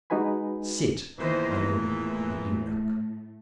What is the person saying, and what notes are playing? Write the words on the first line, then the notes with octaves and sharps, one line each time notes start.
"Sit," I ordered the eunuch.
G#3 D#4 F#4 B4 G#5 B5
E2 A#2 D#3 E3 C5 D#5
A2 A3